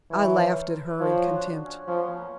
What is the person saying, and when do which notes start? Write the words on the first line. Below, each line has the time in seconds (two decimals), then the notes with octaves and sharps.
I laughed at her in contempt.
0.11 E3 C#5
0.27 C5
0.41 C5
0.51 A4 A#4
0.71 A#4
0.85 B4
0.99 F3 C#5
1.11 C5
1.22 F#4
1.33 D4
1.44 D4
1.65 C#4
1.88 F3 C#4
2.03 B3
2.17 A#3